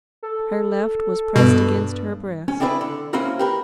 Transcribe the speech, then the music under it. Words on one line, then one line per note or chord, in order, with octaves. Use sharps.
Her left was pressed against her breast.
A4
G2 B2 B3
C#4
C4 D4 E4 G#4 A#4 B4
D3
A#3 C4 C#4 E4 F#4 A#4
G4 A#4 B4